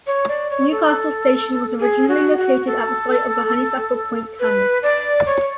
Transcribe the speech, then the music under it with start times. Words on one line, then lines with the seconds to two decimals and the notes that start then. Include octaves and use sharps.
Newcastle station was originally located at the site of the Honeysuckle Point Terminus.
0.07 C#5
0.28 D5
0.50 C#5
0.72 A4
1.80 G#4
2.09 F#4
2.38 F#4
2.67 A4
4.40 B4
4.83 D5
5.26 C#5